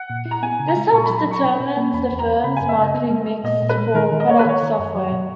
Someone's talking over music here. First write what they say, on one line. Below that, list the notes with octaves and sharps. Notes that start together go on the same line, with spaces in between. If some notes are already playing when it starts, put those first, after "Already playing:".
This helps determines the firms marketing mix for product software.
Already playing: F#5
A#2
E4
A#5
B3 G#5
C#3
A#5
G#3
A#2 C#6
B5
F#3
B5
F#3 C#6
B2 B5
B2
A#3
E2 B5
E2
A#5
E2
C#3 B5
F#2 G#5
E5
C#3 D#5
B3
G#3
G#3
A#2 D#5
A#2
B4
G#3
D#3 A#4
D#3
D#5
A#3 C#5
B4
D#3 C#5
D#3
F#2
F#3
B2